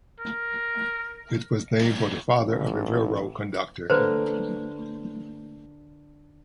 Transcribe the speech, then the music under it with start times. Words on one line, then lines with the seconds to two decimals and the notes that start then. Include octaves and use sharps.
It was named for the father of a railroad conductor.
0.20 A#4
2.39 A1
3.90 D3 A#3 B4 C5